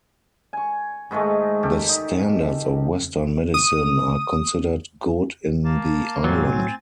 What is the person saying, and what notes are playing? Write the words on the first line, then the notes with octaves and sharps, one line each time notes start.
The standards of western medicine are considered good in the island.
G#5 C#6
G#2 D#3 G#3 A3
G4 A4 A#4
D#4
D#6
A#3 A5
A2 F#3 C4 G#5 A6